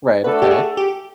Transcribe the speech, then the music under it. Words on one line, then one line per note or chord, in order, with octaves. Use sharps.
Right, okay.
A3 D4 F#4 A4 B4
G4
G#4
G4